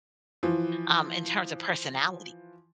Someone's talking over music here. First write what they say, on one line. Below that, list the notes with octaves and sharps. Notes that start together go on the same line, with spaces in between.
um, in terms of personality.
E3 F3